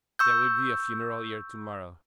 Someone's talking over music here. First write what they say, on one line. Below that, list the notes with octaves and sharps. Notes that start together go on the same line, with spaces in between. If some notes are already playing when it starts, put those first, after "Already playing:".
"There will be a funeral here to-morrow."
C#6 E6 G6